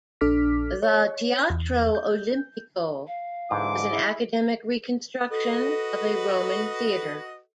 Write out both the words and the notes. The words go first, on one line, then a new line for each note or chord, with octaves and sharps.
The Teatro Olimpico was an academic reconstruction of a Roman theatre.
A#1 D4 A4 D6 F6 B6
C#5
E2
G6
F5
G#2 D3 E3 G#3 D6
E4 G#4
F#4 A4 B4 D#5